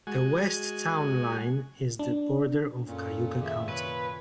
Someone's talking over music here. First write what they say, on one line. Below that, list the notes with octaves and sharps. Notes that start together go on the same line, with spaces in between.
The west town line is the border of Cayuga County.
G#3 F#4 G#5
D4
F#2 A#2 C#4 A4
C3 D#3 G#4 E5 D6
B4 C#5